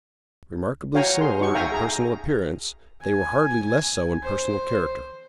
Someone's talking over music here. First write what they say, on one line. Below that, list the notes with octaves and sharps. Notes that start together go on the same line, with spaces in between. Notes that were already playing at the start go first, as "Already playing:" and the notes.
Remarkably similar in personal appearance, they were hardly less so in personal character.
F#4 C#5 F5 G5 G#5 A#5
G#4 C6
D#4 F#4 C#6
E5 F5 G5 G#5 A#5 C#6
G#4 A#5
G#5
C5